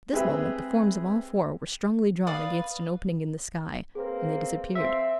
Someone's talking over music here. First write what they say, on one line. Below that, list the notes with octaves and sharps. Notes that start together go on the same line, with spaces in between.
At this moment the forms of all four were strongly drawn against an opening in the sky, and they disappeared.
G#3 C4 G4 G#4 B4 E5
B4 D5 F5 D#6
A#3 C4 G#4 A#4 B4
F3 C4 E5